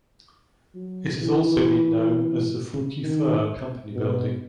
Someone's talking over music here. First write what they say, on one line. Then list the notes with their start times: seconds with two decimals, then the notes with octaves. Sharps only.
It has also been known as the Fouke Fur Company Building.
0.75 F#3
1.20 E3
3.03 D#3
3.95 B2